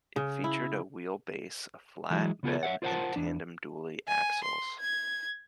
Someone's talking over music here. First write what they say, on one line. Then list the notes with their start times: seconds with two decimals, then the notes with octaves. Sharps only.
It featured a wheelbase, a flat bed and tandem dually axles.
0.16 C#3
0.44 E4
2.10 E3 F#3 G#3 E4
2.43 C#3 B3 F4 G#4 A4
2.63 C#5 E5 F#5
2.82 F4 A#4 C5 F5 F#5 A5
3.16 E2 D4
4.08 G#5
4.44 C6
4.80 G#6